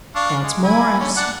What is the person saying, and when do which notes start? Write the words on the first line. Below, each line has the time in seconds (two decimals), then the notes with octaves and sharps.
That's Morris.
0.16 D4 F5 C#6
0.43 G#3
0.64 E4 G#5 B5
1.00 D3 C#4
1.16 D4 F#5